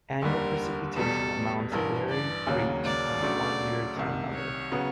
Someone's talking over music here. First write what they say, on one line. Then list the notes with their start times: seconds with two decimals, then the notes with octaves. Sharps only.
Annual precipitation amounts vary greatly from one year to another.
0.22 F1 D#2 D3 G3 A#4
0.96 E2 B2 G3 A4
1.71 A1 G2 E3 A#4
2.09 D5
2.47 D#2 C#3 F#3 A#3 C#4
2.84 D5
3.21 D2 C#3 F#3 A3 D4
3.96 C2 C3 D#3
4.33 C#5
4.72 C#3 F#3 B3